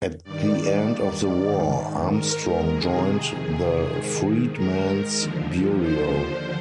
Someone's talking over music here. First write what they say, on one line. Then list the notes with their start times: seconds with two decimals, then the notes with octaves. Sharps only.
At the end of the war, Armstrong joined the Freedmen's Bureau.
0.24 G2 D#3 D5
1.47 G#2 D#3
2.09 A#4
2.71 F2 C3 D#3 G#4
3.95 G#2 D#3
4.56 A#4
5.18 D#2 D3 F3
5.80 C5